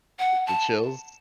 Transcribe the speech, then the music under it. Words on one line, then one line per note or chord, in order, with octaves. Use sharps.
Uh, the chills?
F#5
A5